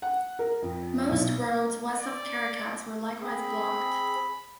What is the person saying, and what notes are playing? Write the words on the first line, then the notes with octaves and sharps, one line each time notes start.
Most roads west of Caracas were likewise blocked.
F#5
A#4
F2
B1
D5
C4 G#4 B5